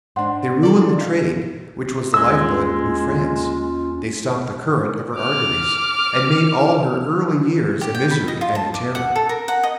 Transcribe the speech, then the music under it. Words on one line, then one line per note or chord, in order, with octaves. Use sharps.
They ruined the trade which was the life-blood of New France; they stopped the current of her arteries, and made all her early years a misery and a terror.
G#2 D4 C5 F#5 C6
D4 A4 D5
E4 F#4
D#4 F5
D#2 G#3 C#4 F4 E6
D6 F6
G4
G5
B5
D#5
F4
A5
D6
F#5
A4
A#4
F#5
D#5